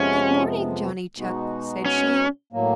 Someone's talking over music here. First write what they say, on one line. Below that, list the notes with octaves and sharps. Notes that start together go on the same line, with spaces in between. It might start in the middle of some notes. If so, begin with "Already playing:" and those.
"Good morning, Johnny Chuck," said she.
Already playing: F2 C3 F3 G#3 B3 C#4
B2 G#3 B3 D#4 F#4
C#4
A2 F#3 A#3